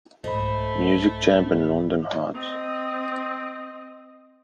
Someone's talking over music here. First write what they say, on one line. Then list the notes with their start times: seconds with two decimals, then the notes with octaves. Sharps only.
Music Champ and London Hearts.
0.24 C2 G#2 A3 C5 D#5 B5
2.34 C4 D#5